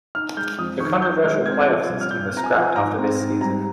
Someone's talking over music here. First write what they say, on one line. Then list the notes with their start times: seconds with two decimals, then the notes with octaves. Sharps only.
The controversial play-off system was scrapped after this season.
0.15 D#4 F6
0.37 G#3 G6
0.58 F2 D#6
0.80 D#3 C#6
1.02 D#4 G6
1.24 G#3 F6
1.46 C4 G#6
1.67 F3
1.89 C2
2.01 F6
2.11 A#2 G6
2.33 C4 A#5
2.44 G#5
2.54 F3
2.76 G#2 A#5
2.98 C4
3.19 G#2
3.41 G3 A#5